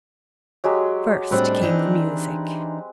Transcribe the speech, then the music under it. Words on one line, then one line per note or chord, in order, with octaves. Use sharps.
First came the music.
F#3 G#3 G4
A2 G3 C4 D4 B4
E3 D4 D#4